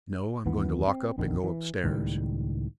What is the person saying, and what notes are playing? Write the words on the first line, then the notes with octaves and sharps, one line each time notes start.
"No; I'm going to lock up and go upstairs."
D#2 E3 B3
C4
A#1 F2 D3 D#3
E3
C#2 A2 D#3 G3